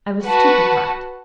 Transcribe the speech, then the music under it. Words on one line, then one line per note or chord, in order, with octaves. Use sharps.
I was stupefied.
F#4 B4 F#5 A5